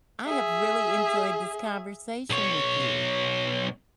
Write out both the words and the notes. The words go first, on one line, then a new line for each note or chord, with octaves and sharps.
I have really enjoyed this conversation with you.
G#4 E5
B1 C#5